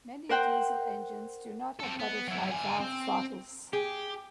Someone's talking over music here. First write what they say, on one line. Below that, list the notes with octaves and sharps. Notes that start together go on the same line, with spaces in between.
Many diesel engines do not have butterfly valve throttles.
A#4 C5 F#5 G5
C4 A4
B3
F#3 E4
D3 G#5
C4
G4 G#4